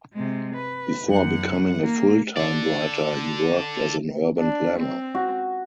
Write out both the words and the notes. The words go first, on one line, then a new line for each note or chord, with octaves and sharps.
Before becoming a full-time writer, he worked as an urban planner.
C3 G#3
B4
F#2 F#5
A#3
A4 D5
D4
C4
F#4